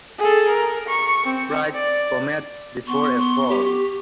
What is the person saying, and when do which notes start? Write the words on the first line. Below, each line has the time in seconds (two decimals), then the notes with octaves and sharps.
Pride cometh before a fall.
0.19 G#4 A4
0.48 A#4
0.88 C#6
1.24 C4
1.74 D5
2.87 B3 C6 C#6
3.18 C6
3.49 G4